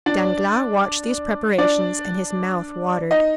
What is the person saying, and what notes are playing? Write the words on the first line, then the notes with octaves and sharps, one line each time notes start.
Danglars watched these preparations and his mouth watered.
D4 D5
D4 D5
D#4 D#5